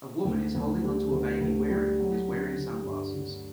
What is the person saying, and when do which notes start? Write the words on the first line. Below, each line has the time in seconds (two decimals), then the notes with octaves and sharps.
A woman is holding onto a baby wearing who is wearing sunglasses.
0.25 D2
0.54 D2
0.83 G3
1.12 D2
1.41 D2
1.70 G3
1.99 F#3
2.28 D3
2.56 D3
2.85 G2
3.14 D3